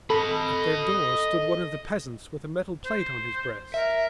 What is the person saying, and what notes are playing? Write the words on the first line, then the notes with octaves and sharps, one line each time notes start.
At their door stood one of the peasants with a metal plate on his breast.
A4 D#5 B5
C5
A#4 E5